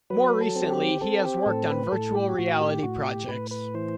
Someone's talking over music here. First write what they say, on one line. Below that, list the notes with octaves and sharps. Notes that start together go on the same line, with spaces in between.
More recently he has worked on virtual reality projects.
F#3 B4
A4
C4
G4
C4 A4
G4
A2 A4
B4
A2 A4
G4
A2 F#4
G4
A2 F#4
G4
A2 B4
B4
E3 C5